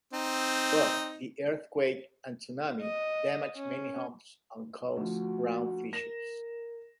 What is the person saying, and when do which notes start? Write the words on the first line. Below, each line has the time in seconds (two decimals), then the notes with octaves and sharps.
Both the earthquake and tsunami damaged many homes and caused ground fissures.
0.13 C4 D#4
2.80 D#5
3.56 C#4
4.97 D2 F3 F#4
5.93 A#4 A#6 E7